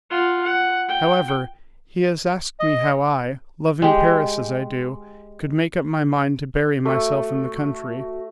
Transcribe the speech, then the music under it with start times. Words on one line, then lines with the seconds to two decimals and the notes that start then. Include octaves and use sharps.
However, he has asked me how I, loving Paris as I do, could make up my mind to bury myself in the country.
0.11 F4 F#5
0.43 F#5
0.88 G5
2.60 D#5
3.82 G#3 G4
6.85 A3 F#4